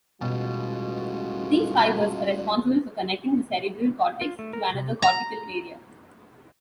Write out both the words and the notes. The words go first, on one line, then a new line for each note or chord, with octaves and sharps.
These fibers are responsible for connecting the cerebral cortex to another cortical area.
A1 E2 B2 G3 G#3 F4 F#4
F4
A3
A#4
C3
A#5